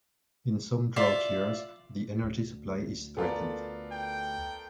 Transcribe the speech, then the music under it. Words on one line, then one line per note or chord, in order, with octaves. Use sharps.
In some drought years the energy supply is threatened.
F4 D5 E5
D2
B3 F4 A4 A#4 D5
G5